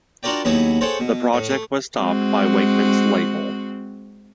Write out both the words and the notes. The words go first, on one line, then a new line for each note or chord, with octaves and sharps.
The project was stopped by Wakeman's label.
D4 F4 F#4 A#4 D5 G5
D#2 F#3 B3 E4 G#4
G#4 A4 C5 C#5 F#5 G5
B2
A2
A3
G#3 C4 F#4